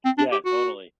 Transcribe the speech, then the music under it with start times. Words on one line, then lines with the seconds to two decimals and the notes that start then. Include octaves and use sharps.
Yeah, totally.
0.05 C4
0.18 D4
0.32 G4
0.45 F#4